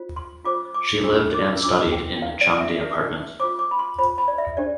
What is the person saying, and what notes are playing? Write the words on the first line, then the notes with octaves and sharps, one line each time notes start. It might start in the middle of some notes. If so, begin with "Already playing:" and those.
She lived and studied in Changde Apartment.
Already playing: F4 C5
C6
F4 C5 D6
D6
D4 F4 C5 E6
D6
E6
D4 F4 C5 D6
G5
G5
E4 B4 F5
D5
E5
E4 B4 E5
F4 C5 D6
D6
B5
C6
F4 C5 B5
B5
D5
E5
D4 G4 C5 D5